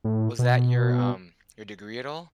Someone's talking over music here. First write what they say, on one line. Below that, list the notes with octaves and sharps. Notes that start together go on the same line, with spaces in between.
was that your, um, your degree at all
A2
B2